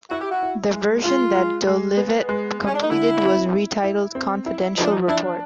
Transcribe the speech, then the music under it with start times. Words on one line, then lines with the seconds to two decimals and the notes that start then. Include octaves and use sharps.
The version that Dolivet completed was retitled "Confidential Report".
0.11 E4 F#4
0.21 G4
0.31 F#4
0.43 E4
0.73 G#3
1.04 G#3 F4
1.35 G#3
1.67 G#3
1.97 B3
2.29 G#3
2.60 G#3
2.67 C#4
2.74 D4
2.83 D#4
2.91 D3 E4
3.23 C4
3.53 E4
3.84 E4
4.15 C4
4.46 E4
4.77 F3 D#4
4.84 D4
4.92 D#4
5.08 D4 E4